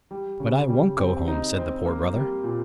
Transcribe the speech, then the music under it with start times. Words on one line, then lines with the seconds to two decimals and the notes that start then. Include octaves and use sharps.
"But I won't go home," said the Poor Brother.
0.11 G3
0.40 C#3
0.69 G3
0.98 C4
1.28 D#4
1.56 C4
1.86 A#3
2.15 G3
2.44 A#2